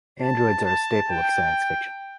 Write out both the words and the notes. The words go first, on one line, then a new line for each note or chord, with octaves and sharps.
Androids are a staple of science fiction.
A5
A5
G5